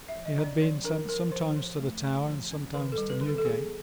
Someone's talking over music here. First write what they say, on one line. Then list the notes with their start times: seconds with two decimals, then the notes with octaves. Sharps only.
He had been sent sometimes to the Tower, and sometimes to Newgate.
0.08 E5
0.15 F3
0.25 D#5
0.38 D4
0.44 D5
0.61 F3 D5
0.84 D4 A#4
1.09 F3 A#4
1.32 F3 C5
1.56 F3
1.80 A3
2.03 A3
2.27 F3
2.51 C#4
2.74 D#3 B4
2.92 A4
2.98 G3
3.10 B4
3.21 D#3
3.28 A4
3.38 A4
3.45 B3 G#4